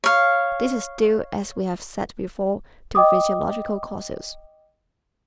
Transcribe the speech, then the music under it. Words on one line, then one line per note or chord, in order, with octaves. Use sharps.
This is due, as we have said before, to physiological causes.
C#5 F5
D#5 G5 D6 D#6